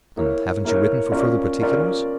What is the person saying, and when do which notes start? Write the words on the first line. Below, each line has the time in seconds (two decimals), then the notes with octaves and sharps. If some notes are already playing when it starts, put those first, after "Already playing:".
"And haven't you written for further particulars?"
0.17 A#3 E4 A#4 C#5
0.64 A#3 E4 A#4 C#5
1.12 A#3 C#4 F4 A#4 D5
1.60 A#3 C#4 F4 A#4 D5